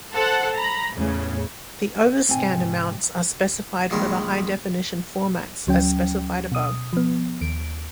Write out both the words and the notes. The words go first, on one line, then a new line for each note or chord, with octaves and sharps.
The overscan amounts are specified for the high definition formats as specified above.
A4 C5 F#5
A#5 B5
E2 A2 C#3
G#2 C3 C4 G#5
A#1 D#3 G3 G#3
D2 F#3 C#4 G5
B2 D#6
F3 B3
D#2 D7